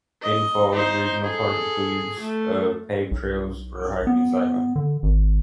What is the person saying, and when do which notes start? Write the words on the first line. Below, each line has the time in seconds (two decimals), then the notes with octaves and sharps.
Hidden Falls Regional Park includes of paved trails for hiking and cycling.
0.22 D#5
0.72 D#4 C5
1.24 G#4 A4
2.20 A3
3.11 B1
4.07 B3
4.76 D3
5.03 G#1